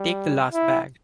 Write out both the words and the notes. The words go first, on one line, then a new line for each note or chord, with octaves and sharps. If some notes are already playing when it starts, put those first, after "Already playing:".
Take the last bag.
Already playing: G3
E4